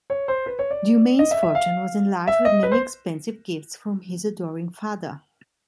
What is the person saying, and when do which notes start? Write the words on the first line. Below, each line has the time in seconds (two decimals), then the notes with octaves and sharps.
Du Maine's fortune was enlarged with many expensive gifts from his adoring father.
0.10 C#5
0.28 C5
0.46 B4
0.59 C#5
0.71 D5
1.19 D#5
1.31 E5
1.43 E5
1.55 F5
2.28 E5
2.45 D#5
2.63 B4
2.72 C5